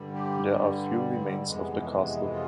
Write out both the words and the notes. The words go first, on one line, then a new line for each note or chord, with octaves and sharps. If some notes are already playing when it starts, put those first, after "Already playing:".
There are few remains of the castle.
Already playing: G2 D3 G3
G4
F2 C3 E3 G#3 B3
F4